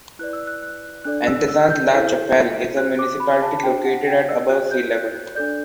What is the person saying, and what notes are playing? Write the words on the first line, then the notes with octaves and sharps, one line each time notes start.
Antezant-la-Chapelle is a municipality located at above sea level.
E4 B4 D5 F#6
E6
F#6
F#6
D4 A4 D5 F#6
E6
E6
G6
E4 A4 C5
F#4 C5 F#6
D6
B5
A5
D4 F#4 C5 G5
F#5
G5
E6
F#4 C5 F#6
G6
F#6
D4 A4 D5 G6